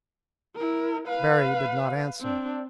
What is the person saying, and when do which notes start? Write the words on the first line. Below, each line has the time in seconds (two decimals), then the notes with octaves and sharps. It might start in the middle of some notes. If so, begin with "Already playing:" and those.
Berry did not answer.
0.56 E4 A#4
1.08 B4 F5
2.21 C4 D4